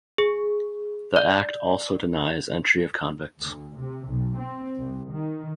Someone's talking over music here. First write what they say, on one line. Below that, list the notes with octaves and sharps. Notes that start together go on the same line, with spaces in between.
The act also denies entry of convicts.
G#4
D5
D2
C3
B1
C4
C2
D#3